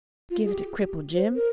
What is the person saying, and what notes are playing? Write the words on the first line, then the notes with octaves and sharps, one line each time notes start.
"Give it to cripple Jim."
F4
G#4
G4
C5
A#4